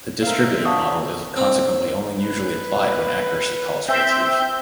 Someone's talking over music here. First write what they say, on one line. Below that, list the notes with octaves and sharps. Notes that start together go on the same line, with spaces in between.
The distributed model is consequently only usually applied when accuracy calls for its use.
C4 A#4 E5 F5
D4 F5 F#5 C#6 D#6
C4
B4
C4 E5 G6